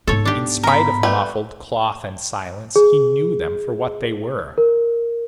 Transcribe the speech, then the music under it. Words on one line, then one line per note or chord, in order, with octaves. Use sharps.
In spite of muffled cloth and silence, he knew them for what they were.
G#2 B3 A4 C#5
D4 G4
A#4 A#5 B5
G3 A3 B4
G#4
A#4